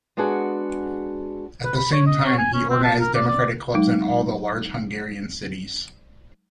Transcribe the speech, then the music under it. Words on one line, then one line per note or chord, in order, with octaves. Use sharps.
At the same time, he organized democratic clubs in all the large Hungarian cities.
G#3 B3 D4 F#4 G#4
B4
B5
C#5
D#5
C#5
G#5
C#4
C4
A5
A#4
D5
D5
F#3 G#3 D#4